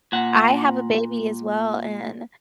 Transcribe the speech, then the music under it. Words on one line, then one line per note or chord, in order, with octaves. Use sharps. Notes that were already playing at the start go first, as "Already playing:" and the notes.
I have a baby as well, and
A#2 F#5